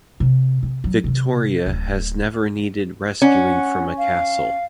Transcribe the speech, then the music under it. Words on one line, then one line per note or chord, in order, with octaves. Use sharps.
Victoria has never needed rescuing from a castle.
C3
C3
F#3
C3 D#3
D1 G1
C#4 F#5
F5